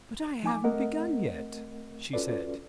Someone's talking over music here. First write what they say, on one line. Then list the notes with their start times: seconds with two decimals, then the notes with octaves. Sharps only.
"But I haven't begun yet," she said.
0.43 F3 D#4 G#5 D6
0.64 A3 C4 A#4 D#5 F#5
2.13 C#4 F4 F#4 A4 B4 D5